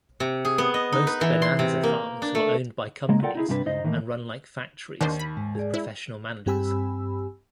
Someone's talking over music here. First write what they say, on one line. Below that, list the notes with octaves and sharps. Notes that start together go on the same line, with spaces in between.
Most bonanza farms were owned by companies and run like factories, with professional managers.
C3
G#4
B3
D#5
D#4
B4
E3
C6
C3
A#3
D4
A3
C#3 G#3 A#3
F4 A4 A#4 D5 F#5 G5
D#4 E4 G#4
G2 C3 G3 D4 G4 B4
C#2 G2 D#4 C5 D#5
A2 D#3 E3 F#3 A3 A#3
D#2 D#3 D4 D#4 C5
B5
G#2 G#3
G#4 D5
E4
G2 C4 G4 G#5 B5 E6